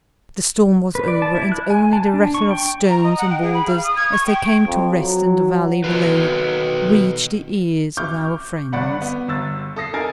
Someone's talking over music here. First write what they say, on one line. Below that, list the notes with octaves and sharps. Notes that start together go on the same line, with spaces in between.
The storm was over, and only the rattle of stones and boulders, as they came to rest in the valley below, reached the ears of our friends.
B4
D5
A5
E4
F#6
G#5
A5
D4
C#6
G5
A#5
D#5
F#5
G5
G#4
B5
F5
D#6
G#6
C#6
G5
F2
F#3
D#3 F#4 A4 B4 F5
C#6 D6 F6 G6
G1 D5 F#5 B5
B3
G1 E6 A6
A4 D#6 A#6 C7
D#4 A4 A#4 G#5 A6